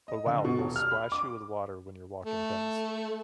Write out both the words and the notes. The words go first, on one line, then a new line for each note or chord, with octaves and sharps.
Oh, wow. He'll splash you with water when you're walking past.
D#5
D3
B2
D#1
F6
B5
D6
A3